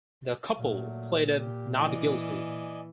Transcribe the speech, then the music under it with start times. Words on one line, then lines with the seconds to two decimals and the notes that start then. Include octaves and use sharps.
The couple pleaded not guilty.
0.56 A#2 F#3 A3
1.39 G4
1.77 E3 D5 D#5 G#5